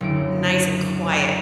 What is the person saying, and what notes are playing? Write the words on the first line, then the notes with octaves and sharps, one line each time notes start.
nice and quiet
F#1 D2 D7